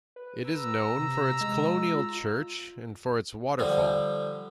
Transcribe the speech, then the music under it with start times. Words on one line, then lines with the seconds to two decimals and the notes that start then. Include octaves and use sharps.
It is known for its colonial church and for its waterfall.
0.16 B4
0.48 A#5 E6
0.99 C3
1.41 G#3
1.94 F4
3.59 D3 F3 G3